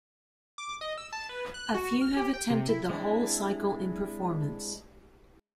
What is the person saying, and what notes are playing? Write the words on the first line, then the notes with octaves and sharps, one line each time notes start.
A few have attempted the whole cycle in performance.
D6
D#5
E6
A5
B4
F#6
F#4
F6
G4
G5
C3
E4
G#3 C4 D4 E4